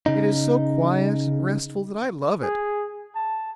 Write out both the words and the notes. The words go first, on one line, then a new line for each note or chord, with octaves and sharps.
It is so quiet and restful that I love it.
C#3 D#4
G#4
A5